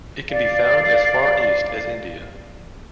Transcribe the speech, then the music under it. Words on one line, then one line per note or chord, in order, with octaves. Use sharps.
It can be found as far east as India.
D5 F5